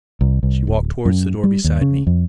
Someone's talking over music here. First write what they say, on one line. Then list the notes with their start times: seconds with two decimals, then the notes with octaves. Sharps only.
She walked towards the door beside me.
0.21 C2
0.43 C2
0.67 D1
1.05 F#2
1.43 G3
1.64 D#2
1.81 C#3
2.07 F2